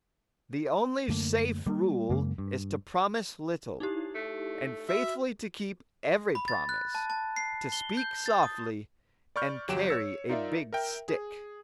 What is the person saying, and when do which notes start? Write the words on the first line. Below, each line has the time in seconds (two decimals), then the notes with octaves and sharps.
The only safe rule is to promise little, and faithfully to keep every promise; to "speak softly and carry a big stick."
1.08 F#2 D3 A3 A#3
1.66 G3 A#3
2.10 F#2 C#3 G#3 A#3
2.38 G2
3.80 D#4 E4 G4
4.15 A3
4.89 F#4 E5
6.35 B5
6.48 A6
6.69 F#6
6.95 A5
7.10 A5
7.36 C7
7.72 G7
7.97 G6
8.26 A6
8.43 D#6
9.36 D5 B5 C#6 F6 G6
9.68 G1 F#3 G4 G5 D7 E7
9.89 C#5 E6 C#7
10.29 D#4 F4 A#4 D5 E5
10.73 A#4 E5 G5
11.08 G#4